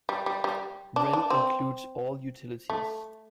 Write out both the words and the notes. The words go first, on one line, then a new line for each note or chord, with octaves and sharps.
Rent includes all utilities.
G3
G3
G3
D4
D4
C4
A3